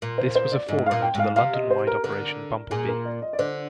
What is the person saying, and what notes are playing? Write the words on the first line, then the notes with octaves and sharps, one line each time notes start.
This was a forerunner to the London - wide Operation Bumblebee.
A#2
C5
C5
D5
G#2 D#5
A#2 F5
G5
G#2 F5
C3 F5
D#5
C5
A#4
D3 A#4
A#2 G#4
A#4
D5
D#5
D5
D3 C5